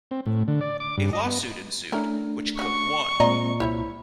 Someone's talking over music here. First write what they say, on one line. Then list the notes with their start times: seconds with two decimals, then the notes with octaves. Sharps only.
A lawsuit ensued, which Cook won.
0.11 C4
0.26 A2
0.48 D3
0.61 D5
0.80 D6
0.97 G2
1.13 D#5
1.26 B3
1.92 A3 C#4 D4 E4 A#4
2.59 C#4 F#4 C#6
3.20 A#2 G#3 C4 D5 D#5 A#5
3.60 C2 E4 C5 C#5 E5 B5